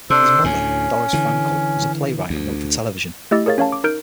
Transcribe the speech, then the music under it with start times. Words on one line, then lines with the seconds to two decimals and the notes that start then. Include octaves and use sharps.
His mother, Doris Frankel, was a playwright and wrote for television.
0.10 C3 D4 A4 C5
0.44 D2 A2 C#4
1.13 D3 E3
2.30 D2
3.31 A3 E4 G4 D#5 E6 A6
3.46 G#4 A#4 C#5 F5 A6
3.58 C#4 C#5 F5 A5
3.72 D6
3.84 D#4 A#4 F6 G6 D7